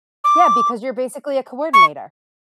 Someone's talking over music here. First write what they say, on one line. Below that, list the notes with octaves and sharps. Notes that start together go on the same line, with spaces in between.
Yeah, because you're basically a coordinator.
D6
C#6